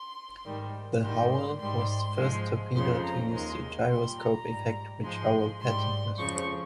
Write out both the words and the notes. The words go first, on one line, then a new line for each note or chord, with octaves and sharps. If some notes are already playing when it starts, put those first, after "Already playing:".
The Howell was the first torpedo to use the gyroscope effect, which Howell patented.
Already playing: C6
G#2 D#3 G3
G#2 D#3 G3 C6
C6
G#2 G3 C6
G#2 F3 G#3
F2 C#3 F3 C6
A#5
D#2 D#3 G#3 C6
A#2 G3 C6
A#5
G#2 G3
G#2 F3 G#3 C6
G#2 G3 C6
F2 C#3 F3 C#6